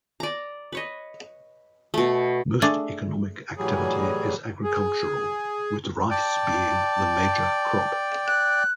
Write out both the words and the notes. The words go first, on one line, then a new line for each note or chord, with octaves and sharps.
Most economic activity is agricultural with rice being the major crop.
D5 A#5
B4 C#5 D#5
B2 A3
A3 D4 G#4
A2 E3 F#3 G3 G#4
G#4
D5 G5 A5
F#6